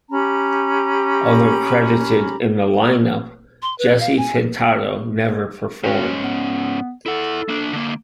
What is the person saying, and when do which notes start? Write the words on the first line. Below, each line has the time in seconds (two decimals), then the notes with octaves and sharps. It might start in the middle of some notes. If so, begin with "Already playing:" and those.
Although credited in the line-up, Jesse Pintado never performed.
0.11 C#4 G4 A#5 B5
3.62 C6
3.78 B4
4.00 F5
4.17 G#5
5.84 G#2 C#4 F#4
6.22 B3
7.06 E4 A4 F#5
7.48 A#3 D4
7.73 D3 A#3